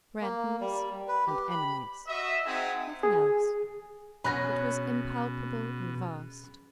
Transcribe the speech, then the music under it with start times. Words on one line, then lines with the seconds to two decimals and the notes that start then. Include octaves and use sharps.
"Friends and enemies"--nothing else. It was impalpable and vast.
0.21 A#3
0.61 G3
1.08 B4
1.27 G4
1.51 B5
2.07 F#4 D#5 E5
2.44 C4 D#4 G#4 E5 F#5
3.03 G#4
4.24 B2 C#4 G#4 B5 F#6 A#6